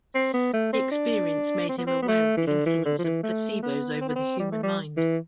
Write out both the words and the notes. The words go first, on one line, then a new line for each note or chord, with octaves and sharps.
The experience made him aware of the influence of placebos over the human mind.
C4
B3
A3
C4
D4
C4
B3
C4
B3
A3
E3
D3
E3
D3
F3
E3
A3
B3
C4
B3
C4
G3
A3
G3
E3